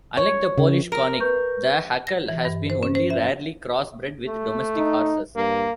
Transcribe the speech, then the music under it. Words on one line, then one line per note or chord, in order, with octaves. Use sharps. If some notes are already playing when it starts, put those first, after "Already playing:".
Unlike the Polish Konik, the Hucul has been only rarely cross-bred with domestic horses.
C#5
C#3
A#4
B4 C#6 G6
A#6
E3
G2
C5
C#4
C5
E5
A3
D#4
G2 A#3